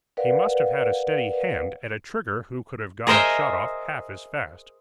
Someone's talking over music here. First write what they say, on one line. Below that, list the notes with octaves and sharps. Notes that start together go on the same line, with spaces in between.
He must have had a steady hand at a trigger who could have got a shot off half as fast.
A#4 B4 D5 F5 F#5
G#4 A#4 C5 D#5 E5 G#5